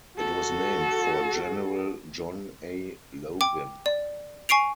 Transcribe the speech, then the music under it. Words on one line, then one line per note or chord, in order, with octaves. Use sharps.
It was named for General John A. Logan.
F#4 A4
G5 D6
D5
G#5 C#6 C7 D7 F7